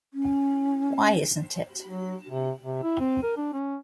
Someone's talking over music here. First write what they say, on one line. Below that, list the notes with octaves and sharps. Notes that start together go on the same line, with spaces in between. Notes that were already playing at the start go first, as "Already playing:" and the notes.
Why isn't it?
C#4
F#3
C3
C3
E4
C4
A#4
D4
C#4